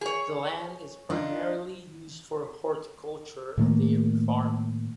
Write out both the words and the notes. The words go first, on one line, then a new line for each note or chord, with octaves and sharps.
The land is primarily used for horticulture and dairy farming.
G#4 C#5
D4 D#4 F4
A2 D#3 A3 A#3